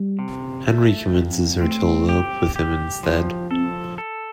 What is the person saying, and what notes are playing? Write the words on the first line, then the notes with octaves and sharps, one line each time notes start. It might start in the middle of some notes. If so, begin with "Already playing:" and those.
Henry convinces her to elope with him instead.
Already playing: G3
C3
A3
F2
A3 C4
G4
G4
F3
C4 A4
A4